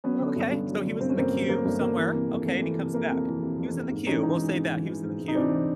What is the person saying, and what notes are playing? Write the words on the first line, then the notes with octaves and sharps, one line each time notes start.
Well, okay, so he was in the queue somewhere, okay, and he comes back. He was in the queue. We'll say that. He was in the queue.
F#3 B3 C#4
D3
G2
G2
F#3
D3
G2 C4
C#4
G2 A#3 C4
F#3
D3 A#3
G2 A3 B3
G2 A#3
E3
C3
F2
F2 A3
E3
C3
F2 A#3
F2
E3
C3
F2
F2
G#2
E3 C#4 D#4
E3 C#4 D#4
G#2
G#2
E3
E3
G#2
G#2
D#4
E3 C4 D4
E3